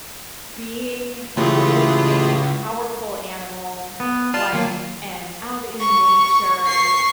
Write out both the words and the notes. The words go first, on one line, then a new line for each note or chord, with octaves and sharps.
being with a powerful animal, like and out in nature,
C#2 A2 E3 A3 E4 F4 G4 G#4
B3
F4 D5 A5 C6
D#3 F#3 A#3
C#6
C#6 C7